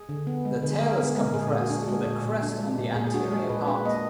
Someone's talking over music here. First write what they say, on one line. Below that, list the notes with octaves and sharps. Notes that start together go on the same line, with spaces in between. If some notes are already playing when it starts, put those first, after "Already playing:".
The tail is compressed with a crest on the anterior part.
Already playing: G#4
D3
B3
G#3
D3
G#4
D3 A#4
B3
G#3 A#4
A#2 G#4
A#2
F#4
D4
G#4
G#3 F#4
A#2
A#2
D4
G#3
A#2
A#2 G#4
G#4
D4 F#4
G#3 G#4
A#2 B4
D4 B4
A#3 D#5